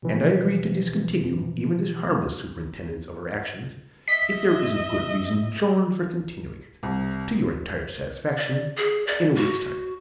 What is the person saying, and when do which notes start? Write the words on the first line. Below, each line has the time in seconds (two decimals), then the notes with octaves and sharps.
And I agree to discontinue even this harmless superintendence of her actions, if there isn't good reasons shown for continuing it, to your entire satisfaction, in a week's time.
0.03 B2 E3 F3
4.08 D#5 E5 B6
6.83 C2
8.37 D5
8.77 G#4
9.07 D5
9.36 F#4